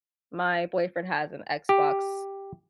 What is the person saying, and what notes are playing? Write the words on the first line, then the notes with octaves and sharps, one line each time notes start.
my boyfriend has an Xbox,
G4